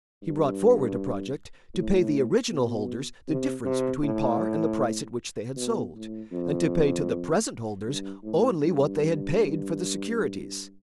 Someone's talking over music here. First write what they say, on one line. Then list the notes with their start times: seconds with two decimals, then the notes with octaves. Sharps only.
He brought forward a project to pay the original holders the difference between par and the price at which they had sold, and to pay to the present holders only what they had paid for the securities.
0.23 G2
1.74 A2
2.51 B2
3.28 C3
3.65 C3
4.03 A2
5.56 B2
5.94 A2
6.32 F2
7.86 G2
8.23 A2
8.62 G2